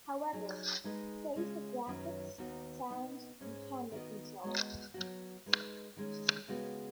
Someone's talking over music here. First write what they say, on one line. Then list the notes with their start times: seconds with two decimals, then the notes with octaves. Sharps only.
However, he praised the graphics, sounds and camera control.
0.33 F#3 D#4 G#4
0.84 G#3 D#4 G#4 B4 D#5
1.35 C#3 G#3 C#4
1.87 F#2 D#3 F#3 C#4 B4
2.38 D#2 D#3 B3 F#4
2.90 B2 B3 D#4
3.41 G#2 G#3 C#4
3.92 D#3 B3 F#4 D#5
4.44 G#3 B3 F#4 D#5
4.94 F#3 B3 F#4
5.46 G#3 D#4 B4
5.96 D#3 G#3 C#4
6.48 C#3 G#3 B3 F#4 B4